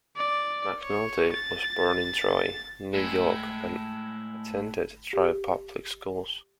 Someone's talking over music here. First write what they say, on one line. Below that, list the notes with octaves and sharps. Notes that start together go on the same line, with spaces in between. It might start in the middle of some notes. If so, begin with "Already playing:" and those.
McNulty was born in Troy, New York and attended Troy public schools.
D5
C#5
A6
A2 G#3 E4
G4